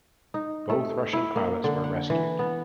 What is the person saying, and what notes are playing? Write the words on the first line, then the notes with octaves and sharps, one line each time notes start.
Both Russian pilots were rescued.
D#4
A3
E4
A#3
D3
F#5
E3
B3